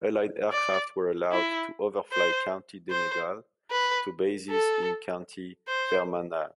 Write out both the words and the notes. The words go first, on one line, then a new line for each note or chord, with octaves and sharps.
Allied aircraft were allowed to overfly County Donegal to bases in County Fermanagh.
D5
E4
C5
C5
B4
A4
C5